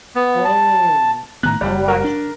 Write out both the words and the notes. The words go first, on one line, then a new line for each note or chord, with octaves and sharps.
Oh. Oh, I see.
B3
A5
A2 D#3 B3 A#5 F#6
F#1 G3
A#4
D4